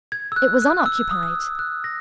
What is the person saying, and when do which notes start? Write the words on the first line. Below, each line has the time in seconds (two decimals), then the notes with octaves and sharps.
It was unoccupied.
0.12 G#6
0.32 E6
0.36 F#6
0.62 F#6
0.86 E6
1.11 D#6
1.23 E6
1.59 F#6
1.84 A#6